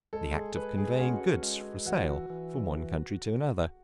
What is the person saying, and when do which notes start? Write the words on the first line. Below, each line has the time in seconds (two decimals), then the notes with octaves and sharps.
The act of conveying goods for sale from one country to another.
0.13 G#3 A4
0.34 G#4
0.56 G#3 B4
0.78 G#4
0.99 C#4 F#4
1.43 G#3
1.86 E3 F#4
2.30 E3